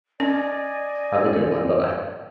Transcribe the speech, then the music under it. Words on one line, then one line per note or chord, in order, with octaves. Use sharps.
Have a good one. Bye-bye.
C#4 D5 D#5 G#5